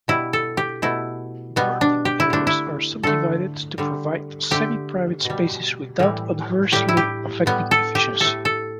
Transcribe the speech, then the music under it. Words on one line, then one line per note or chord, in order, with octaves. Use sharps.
Berthing areas are subdivided to provide semi-private spaces without adversely affecting efficiency.
B2 G3 E4
A4
G4
B2 A3 E4
B2 G3 B3
D4
G4
E4
D3 A3 D4
E4
D3 A3 A4
D3 G3
D3 A3 G4
B2
G3
A2 E3 G3
A2 G3 G4
E4
G4
A2 G3 B3
A4
G4
A2 A3 A4
A4